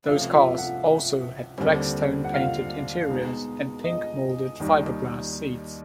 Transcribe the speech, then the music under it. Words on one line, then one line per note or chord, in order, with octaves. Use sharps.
Those cars also had Plextone-painted interiors and pink-molded fiberglass seats.
C#2 C3 F3 A3 C#4 F5
E5
F#5
D#2 D3 G3 C4
F#5
F5
B2 G#3 B3 D#4
D#5
D#2 D#3 G3